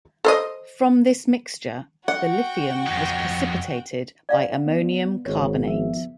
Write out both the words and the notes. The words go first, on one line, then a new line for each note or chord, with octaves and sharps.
From this mixture, the lithium was precipitated by ammonium carbonate.
A4 C5 D#5
F#4 F#5 G5
F2 D#4
D5 F5 F#5
B3
G#1 D#4 C#5
F3 B3 E5